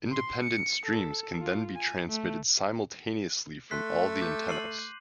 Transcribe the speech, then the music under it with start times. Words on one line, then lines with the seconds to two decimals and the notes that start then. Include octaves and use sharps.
Independent streams can then be transmitted simultaneously from all the antennas.
0.12 C6
0.43 C#7
0.86 A4
1.41 F4
1.76 G#5
2.08 A3
3.71 A3 C6 F#6 B6
4.22 D6 G6
4.49 C7 D#7 F#7